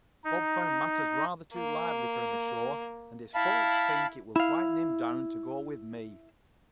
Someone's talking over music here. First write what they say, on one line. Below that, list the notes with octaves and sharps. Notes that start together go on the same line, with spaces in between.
"Bob found matters rather too lively for him ashore, and his folks think it will quiet him down to go with me."
D#4
A#3
E4 F5 A5 B5
E4 F5